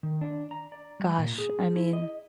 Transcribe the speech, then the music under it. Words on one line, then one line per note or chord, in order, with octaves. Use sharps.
Gosh, I mean,
D#3
D4
A#5
D5
G3
A#2
G#4
E4
D#5